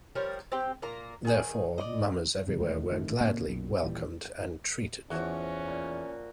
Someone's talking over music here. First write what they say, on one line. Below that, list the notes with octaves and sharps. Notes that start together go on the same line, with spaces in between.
Therefore, mummers everywhere were gladly welcomed and treated.
F3 G3 A#4 C#5
C4 G4 G5
A#2 A#3 A#5
D#3 G#4
D5 D#5
F1 C3 E3 G3
E1 D#2 G#3 A3
A1 D#3 A3
A#2 C#3 A#3 C4
B1 F#2 A#2
D#1 A#2 E3 G3
E2 F3 C#4 F#4
A#2